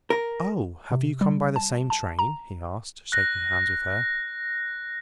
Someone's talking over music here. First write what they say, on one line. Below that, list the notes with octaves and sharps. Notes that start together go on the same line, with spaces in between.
'Oh! have you come by the same train?' he asked, shaking hands with her.
A#4
C3
G3
A5
A5
A#5
F#6 A#6